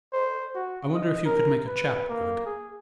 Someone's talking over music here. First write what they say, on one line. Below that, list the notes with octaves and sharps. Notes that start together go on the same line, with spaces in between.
"I wonder if you could make a chap good?"
C5
F#4
D#5
A#4
B4
A#3
G#4